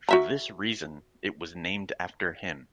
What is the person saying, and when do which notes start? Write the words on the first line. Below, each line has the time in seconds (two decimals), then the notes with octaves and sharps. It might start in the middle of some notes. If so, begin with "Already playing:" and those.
For this reason, it was named after him.
0.09 F#4 E5 A#5